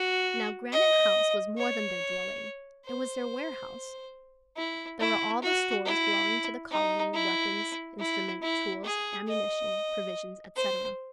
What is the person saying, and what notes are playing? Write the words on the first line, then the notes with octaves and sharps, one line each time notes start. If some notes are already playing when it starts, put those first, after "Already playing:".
Now Granite House was more than their dwelling, it was their warehouse. There were all the stores belonging to the colony, weapons, instruments, tools, ammunition, provisions, etc.
Already playing: F#4
D#5
C#5
C5
E4
E4
F#4
E4
D#4
E4
E4
E4
G#4
D#5
C5